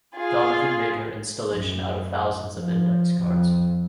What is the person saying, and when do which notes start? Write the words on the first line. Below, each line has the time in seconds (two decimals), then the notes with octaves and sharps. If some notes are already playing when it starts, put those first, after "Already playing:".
Donovan made her installation out of thousands of index cards.
0.16 F4 G#4
1.54 F#2
2.56 F3
3.22 F2